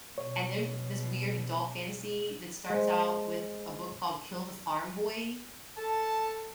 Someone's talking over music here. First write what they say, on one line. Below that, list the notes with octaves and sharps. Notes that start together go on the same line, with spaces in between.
and there's this weird adult fantasy that starts out with a book called Kill the Farm Boy,
B2 C#5
G#3 C5
A4 A5